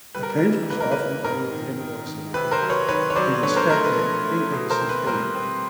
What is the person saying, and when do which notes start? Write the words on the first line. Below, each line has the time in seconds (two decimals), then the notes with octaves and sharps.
The painters often owed the invoice amount and instead gave paintings in payment.
0.15 G3 B4
0.23 A#4
0.39 E3 A#4
0.70 A#3 B4
0.81 A#4
0.92 B4
0.97 A#3
1.24 G#2 A#4
1.51 D#3
1.79 D#3
2.07 D#3
2.34 C3 B4
2.51 A#4 C5
2.62 F#3
2.70 B4 C#5
2.89 D#3 B4 C#5
3.10 C#5
3.16 F#3 C5 D5
3.43 D3 B4 C#5
3.56 A#4 C5
3.70 A3 A#4
3.85 B4
3.97 F3
4.25 A3
4.52 B2
4.70 A#4 C5
4.80 C4
4.89 B4
5.07 G3 A#4 C5
5.35 C4